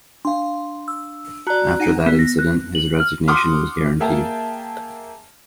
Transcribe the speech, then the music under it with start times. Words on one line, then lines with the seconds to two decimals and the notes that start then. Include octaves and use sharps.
After that incident, his resignation was guaranteed.
0.25 D4 F5 C6
0.88 E6
1.47 F#4 D5 A5 A#5 F#6
1.80 D#4 F#5 G#5
2.06 B3
2.19 A#6
2.39 F#6
2.75 F#7
3.00 F6
3.28 F#5 C6 D6 D#6 F6
4.00 A#3 G#4 E5 G5 A5